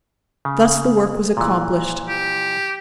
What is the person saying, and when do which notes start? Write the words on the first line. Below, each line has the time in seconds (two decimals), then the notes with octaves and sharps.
Thus the work was accomplished.
0.45 C#3
1.37 A#2 E3
2.09 G4